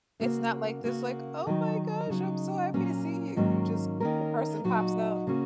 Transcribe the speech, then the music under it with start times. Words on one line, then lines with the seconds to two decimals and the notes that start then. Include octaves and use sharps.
It's not like this, like, "Oh my gosh, I'm so happy to see you." You just The person pops out,
0.20 C#3 A#3 F#4
0.84 C#3 A#3 F#4
1.47 D#3 F#3 D#4
2.10 C#3 F#3 D#4
2.74 A#2 F#3 A#3 C#4
3.36 G#2 D#3 F#3 A#3 C#4
4.00 D#3 A#3 C#4 A#4
4.64 A#2 F#3 D#4 F#4
5.27 C#3 A#3 C#4 F#4